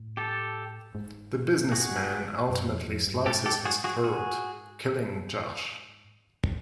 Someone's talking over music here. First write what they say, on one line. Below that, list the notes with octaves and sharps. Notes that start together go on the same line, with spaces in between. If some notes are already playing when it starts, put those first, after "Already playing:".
The businessman ultimately slices his throat, killing Josh.
Already playing: A2
G4 A4
G#2
F#4 G#4
F#2
F2
F2
G2
G#2 G4 A4
G4 A4
F#4 G#4
F#4 G#4
F#4 G#4